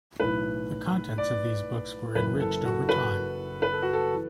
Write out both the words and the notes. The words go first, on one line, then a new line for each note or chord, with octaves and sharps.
The contents of these books were enriched over time.
B1 A2 E3 B4
D5
F#1 F#2 E3 B4
A4
F#4
B4
B4
A4
F#4
A4
E3